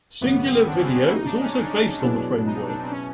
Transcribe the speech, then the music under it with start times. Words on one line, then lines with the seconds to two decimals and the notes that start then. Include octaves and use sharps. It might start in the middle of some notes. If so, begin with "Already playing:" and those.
Cingular Video is also based on the framework.
0.21 G#1 F#2 C#3 B3
0.44 C4
0.67 D4
0.75 C#4
0.83 C4
0.93 C#4
1.06 E4
1.12 D#4
1.26 D4
1.41 C#4
1.56 D#4
1.65 D4
1.75 C#4
1.85 D4
2.01 B2 F#3 B3 D4 E4 G#4
2.46 D#4
2.69 D4
2.82 C4
2.91 C#4